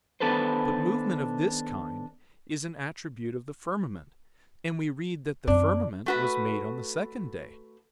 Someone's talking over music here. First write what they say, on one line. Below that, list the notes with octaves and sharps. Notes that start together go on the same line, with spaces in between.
But movement of this kind is an attribute of the firmament, and we read that the firmament was made on the second day.
D#3 B3 D4 A4 B4 C5
F#2 C4 D4
A3 F#4 B4